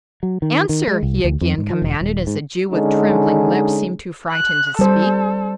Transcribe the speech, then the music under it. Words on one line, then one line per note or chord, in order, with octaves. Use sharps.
"Answer!" he again commanded, as the Jew with trembling lips seemed too frightened to speak.
F#3
D#3
D#3
G#3
C2
D2
F2
G#2
F3
E1
D#1
G#2
D3 G#3 C#4 D#4
F#6
G3 A4 C5